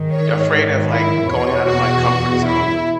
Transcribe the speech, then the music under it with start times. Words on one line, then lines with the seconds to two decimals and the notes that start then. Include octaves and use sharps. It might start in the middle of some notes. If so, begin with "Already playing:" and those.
afraid of, like, going out of my comfort zone
Already playing: G#2 D#3
0.13 C#5
0.91 E4
1.30 E2 B2 C#5
1.69 F#4
2.46 E4